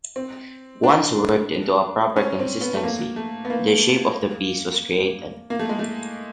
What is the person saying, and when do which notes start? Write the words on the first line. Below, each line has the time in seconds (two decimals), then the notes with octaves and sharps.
Once worked into a proper consistency, the shape of the piece was created.
0.16 C4
0.84 D4
2.16 C#4
2.39 C4
2.61 B3
2.74 A3
2.83 A#3
3.16 A3
3.45 B3
3.50 A#3
5.50 A#3
5.59 A3
5.69 G#3
5.79 A3